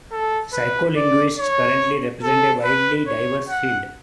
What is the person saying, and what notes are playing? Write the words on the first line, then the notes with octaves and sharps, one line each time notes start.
Psycholinguists currently represent a widely diverse field.
A4
B4
D5
C#5
A4
B4
C#5
F#5